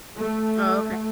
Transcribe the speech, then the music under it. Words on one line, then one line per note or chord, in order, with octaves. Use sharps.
Oh, okay.
A3